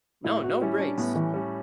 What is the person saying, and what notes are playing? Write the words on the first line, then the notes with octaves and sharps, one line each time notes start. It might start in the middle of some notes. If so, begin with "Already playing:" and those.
No, no breaks.
A2 E4
F#4
G3 C#4 E4
D4
A2 B3
E3
G3 C#4